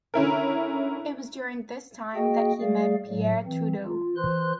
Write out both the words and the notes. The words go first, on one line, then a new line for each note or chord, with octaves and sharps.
It was during this time that he met Pierre Trudeau.
D3 C#4 E4 A#4
A#3 F#4 G#4 D#5 G5
G3 A3 G#4 D5 F5
A2 F#3
E3 C4
F4
E3 C5 C6 F#6